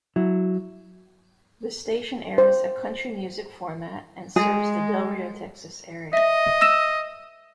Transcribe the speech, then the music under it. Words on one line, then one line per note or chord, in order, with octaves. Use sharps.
The station airs a country music format and serves the Del Rio, Texas area.
F#3 E4
C5
G#3 G#4
D#5 E5 A#6
E6 A#6 E7